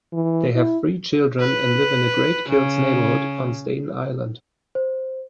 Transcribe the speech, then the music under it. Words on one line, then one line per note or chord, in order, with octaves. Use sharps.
They have three children and live in the Great Kills neighborhood on Staten Island.
E3
E4
B4
C#3
C5